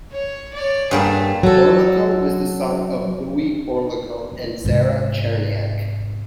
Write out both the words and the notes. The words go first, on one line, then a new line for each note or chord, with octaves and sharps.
Orlikow was the son of Louis Orlikow and Sarah Cherniack.
C#5
C#5 D5
G2 G3 A3 A#3 G#4
F#3 A4
G#2 C3